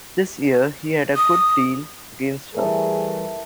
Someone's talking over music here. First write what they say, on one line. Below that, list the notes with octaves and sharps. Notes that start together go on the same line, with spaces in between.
This year he had a good deal against her.
D#6
E3 G3 A3 G#4 A#4 E5 A5